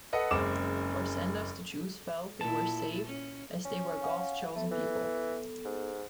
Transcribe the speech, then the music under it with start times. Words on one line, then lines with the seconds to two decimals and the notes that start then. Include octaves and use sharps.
For Sanders, the Jews felt they were saved as they were God's chosen people.
0.13 A4 B4 D#5 F#5
0.31 F#1 F#2 G#3 C4 D6 E7
2.41 A#2 E4 A5
3.06 C#4
3.65 C#4
4.01 F5 F#5 G#5
4.56 A3 B3 A4
4.71 E3
5.65 G#2